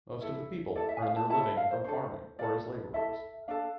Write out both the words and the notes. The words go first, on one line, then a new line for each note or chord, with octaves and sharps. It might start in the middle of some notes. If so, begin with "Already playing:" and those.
Most of the people earn their living from farming or as laborers.
E4 A4
E4 A4 D5
E5
G#5
F5
A5
E4 A4 A5
A5
F5
C5
D4 A4 C5
F4 A4 D5
E4 A4 E5
D4 A4 F5